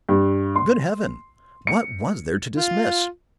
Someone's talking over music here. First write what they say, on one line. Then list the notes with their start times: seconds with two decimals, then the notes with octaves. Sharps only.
Good Heaven, what was there to dismiss!
0.09 G2
0.56 C6
1.67 C#7
2.58 F4